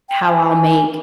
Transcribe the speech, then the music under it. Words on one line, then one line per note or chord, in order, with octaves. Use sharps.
how I'll make
G5
A5
G#5